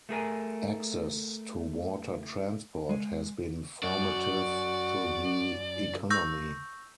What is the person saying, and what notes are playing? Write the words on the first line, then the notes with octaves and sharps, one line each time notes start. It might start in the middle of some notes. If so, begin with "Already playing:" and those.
Access to water transport has been formative to the economy.
A3 G#4 A#4 G#5
G#3 G#5
F#2 F#4 D5
C#6 E6 G6 A#6